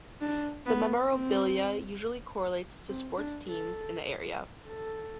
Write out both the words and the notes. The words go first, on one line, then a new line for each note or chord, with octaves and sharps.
The memorabilia usually correlates to sports teams in the area.
D4
B3
C4
C4
D4
A4
A4